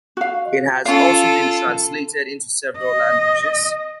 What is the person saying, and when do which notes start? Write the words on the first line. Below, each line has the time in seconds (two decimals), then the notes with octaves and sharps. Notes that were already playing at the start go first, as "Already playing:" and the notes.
It has also been translated into several languages.
0.17 F#4 F5
0.85 C#4 F4 A4 F5
2.78 D#5